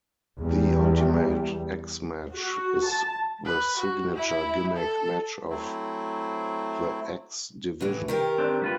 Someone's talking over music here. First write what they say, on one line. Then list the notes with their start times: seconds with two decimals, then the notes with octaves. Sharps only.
The Ultimate X match is the signature gimmick match of the X Division.
0.39 E2 G3
2.34 F#4
2.86 A5
3.45 B4
3.78 F#4
4.16 E4
4.76 A4
5.50 F#3 A3 C4 E4
7.81 A2 E3
8.08 D#3 G4 A#4
8.38 C4 D4
8.62 G3 F4 B4